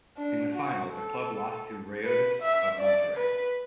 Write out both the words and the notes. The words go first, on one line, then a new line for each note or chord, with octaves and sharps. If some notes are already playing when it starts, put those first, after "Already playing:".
In the final, the club lost to Rayados of Monterrey.
D4
F#4
A4
B4
E5
D5
B4